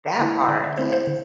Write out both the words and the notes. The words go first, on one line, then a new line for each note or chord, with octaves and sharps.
That part, yes.
D3 A3 E4
D3 D5
E5
A3 C4 E4 C5
C5
D3